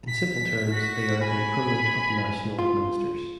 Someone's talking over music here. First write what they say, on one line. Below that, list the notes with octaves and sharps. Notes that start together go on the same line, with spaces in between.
In simple terms they are the equivalent of national ministers.
B6
F#4
G#5 B5
F4